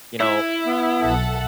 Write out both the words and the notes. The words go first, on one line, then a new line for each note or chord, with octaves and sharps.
you know
E4 E5
B3
B1 A4 F#5